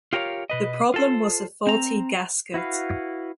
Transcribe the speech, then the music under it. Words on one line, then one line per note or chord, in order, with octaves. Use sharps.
The problem was a faulty gasket.
F4 G4 A#4 B4 C#5 F5
B2 B4 D#5
F4 A4 C5
C4 A#5
E4 F#4 B4 F5